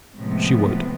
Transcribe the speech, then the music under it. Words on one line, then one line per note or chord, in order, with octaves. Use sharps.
She would.
A2 C3 F3 G#3 B3